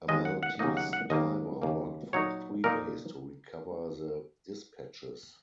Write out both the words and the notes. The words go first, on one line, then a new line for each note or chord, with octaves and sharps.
A Maltese diver worked for three days to recover the dispatches.
D#2 D#3 G#3 D#5
F#5
F#5
D#2 C#3 F#3 A#3 D#4 D#5
F#5
F#5
D#2 D#3 A#3 D#4 D#5
D#2 C#3 A#3
A#2 F#3 D#4 C#5
A#2 A#3 D#4 A#4